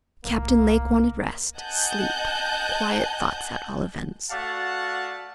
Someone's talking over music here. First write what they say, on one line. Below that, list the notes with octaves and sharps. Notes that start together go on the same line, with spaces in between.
Captain Lake wanted rest--sleep--quiet thoughts at all events.
D1 C2 A#3
D#5 F#5 G#5 A5 F#6 G6
A3 F#4 D5 F5 F#5 A5